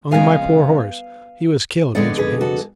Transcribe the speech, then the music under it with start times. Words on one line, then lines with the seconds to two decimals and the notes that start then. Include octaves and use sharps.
"Only my poor horse; he was killed," answered Haines.
0.11 F2 C#3 G#3 B3 F5 G#5
1.95 F2 D3 G#3 B3 D5 F#5
2.18 G#4 B4
2.41 F#4 A4